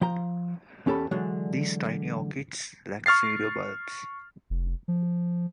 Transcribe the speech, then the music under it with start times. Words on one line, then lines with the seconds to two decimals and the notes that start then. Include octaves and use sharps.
These tiny orchids lack pseudobulbs.
0.01 F3 G5 A#5
0.86 E2 C#4 G4 A4 A5 B5
1.11 D3 E3 F#3 G#3 D4
3.06 C#6 F6 A6 C7
4.50 F1
4.88 F3